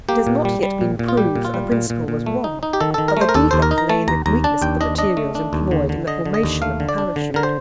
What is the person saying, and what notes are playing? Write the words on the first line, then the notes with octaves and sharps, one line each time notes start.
It has not yet been proved that the principle was wrong, but the defect lay in the weakness of the materials employed in the formation of the Parachute.
A#3 G4
A#2
G3
G3
A#2
A#2
F4
G3 G4
A#2
F4
G3
A#2
A#2
A#2
A3
D#4
D#4
G4
D#3 A4
D#3 A4
A#4
A3 C5
A#4
D#2 A4
D#2 C5
A#4
D#4
A#5
A3 A5
D#2 A#5
D#2 A#5
D4 A5
D#2 G5
D4 D#5
D4 D#5
A3
D4
D#2
D3
D3
D3 D#5
D3
D#5
D#2
A3 F5
D3
D5
D4
D3
D3 A#4
C5